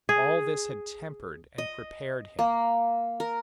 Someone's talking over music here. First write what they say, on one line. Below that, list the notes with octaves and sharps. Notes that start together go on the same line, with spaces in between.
All this had tempered and prepared him.
G#4
D#5
A#3
A#4